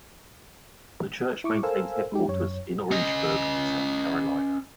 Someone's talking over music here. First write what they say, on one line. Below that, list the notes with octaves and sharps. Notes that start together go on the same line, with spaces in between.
The church maintains headquarters in Orangeburg, South Carolina.
E4 C#6 D6
A4 A#4 C5 F5 G#5 E6
G#3 D#4 G4
F#2 C#5
C#4 D#5